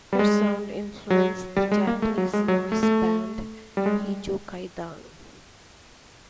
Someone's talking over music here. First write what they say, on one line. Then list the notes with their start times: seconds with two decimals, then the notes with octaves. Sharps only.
Their sound influenced the Japanese noise band Hijokaidan.
0.13 G3
0.19 G#3
1.10 F#3
1.56 G3
1.72 G#3
1.87 A#3
2.02 A3
2.18 F#3
2.33 G#3
2.48 F#3
2.72 A3
2.83 A3
3.77 G3
3.86 G#3